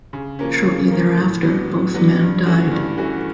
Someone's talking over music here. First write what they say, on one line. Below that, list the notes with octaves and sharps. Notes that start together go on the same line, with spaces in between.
Shortly thereafter, both men died.
C#3
F3 A#3 C#4
C#3
F3 A#3 C#4
A2
F#3 B3 D4
A2
F#3 B3 D4
G2
E3 A3 C#4 F#4
G2
E3 A3 C#4 F#4